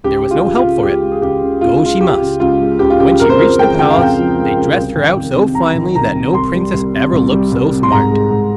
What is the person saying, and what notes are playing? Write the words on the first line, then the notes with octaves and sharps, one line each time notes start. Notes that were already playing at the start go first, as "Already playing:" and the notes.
There was no help for it, go she must; and when she reached the palace, they dressed her out so finely that no princess ever looked so smart.
C#2 G4
G#3
F4
C#2
F4
C#3
C#2 G4
G#3
G#4
C#2 G4
C#3
C#2 F4
G#3 F4
C#2 G4
C#3
C#2 F4
G#3
C#2 G4
F4
C#3 G4
F2 A#4
C5
F3 A#4
G#3 G5
C#3 G5
F5
F2 G5
F3
G#3
C#3
C2
D#3
C2
C3
C2 A#5
D#3
C2 A#5
C3
C2 C6
G3
C2
C3
C2
G3
C2
C3
C6
G#2 A#5
G#3
G#2